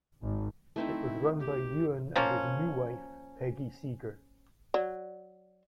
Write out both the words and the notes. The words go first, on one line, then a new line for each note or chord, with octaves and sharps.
It was run by Ewan and his new wife, Peggy Seeger.
G#1
A3 C4 D#4 E4
G4
F3 A#3 C#4
F#3 D5